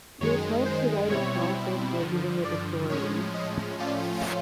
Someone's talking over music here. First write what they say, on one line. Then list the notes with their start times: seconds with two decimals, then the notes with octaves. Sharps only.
This helps the writing process while giving it authority.
0.20 F#2 D#3 G#3 C#5
0.65 C5
1.10 B2 G3 C4 E4 C#5
1.99 G2 D3 F3
2.44 D5
2.89 A2 F3 G#3 C#4 C#5
3.34 D#5
3.79 A2 F3 A3 C#4 F4 D5